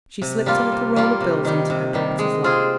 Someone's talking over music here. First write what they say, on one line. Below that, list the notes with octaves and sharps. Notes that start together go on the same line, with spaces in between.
She slipped a little roll of bills into her daughter's lap.
C3
G3 A#3 F4
C3
G3 A#3 F4
C3
D#3 G3
C3
D#3 G3
G#3
C4 F4 G#4